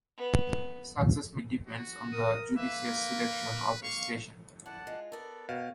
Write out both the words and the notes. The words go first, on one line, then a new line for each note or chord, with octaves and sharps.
Success mainly depends on the judicious selection of a station.
B3
F#4
A#4 D#6
A#3 B4 E5
A#4
A#3 F5 C#6
E4 D5 F#5 A5
G#3 F4
B3 A4 A#4 D5
B2 C#5 F5 G5